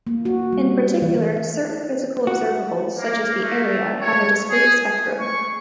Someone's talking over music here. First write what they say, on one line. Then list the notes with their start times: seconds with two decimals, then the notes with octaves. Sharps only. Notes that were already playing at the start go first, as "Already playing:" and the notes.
In particular, certain physical observables, such as the area, have a discrete spectrum.
0.07 A#3
0.25 F#4
0.52 G3
1.02 E3
2.27 F#4
2.98 A#3
3.42 A3
4.01 C#5
4.50 G#4
4.83 G#5
5.19 C#6